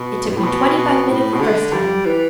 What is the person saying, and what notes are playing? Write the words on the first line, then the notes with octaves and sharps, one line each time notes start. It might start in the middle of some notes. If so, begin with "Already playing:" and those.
It took me twenty-five minutes the first time.
Already playing: B2
G2
A2
B2
B2
A2
B2
D3
G3
E3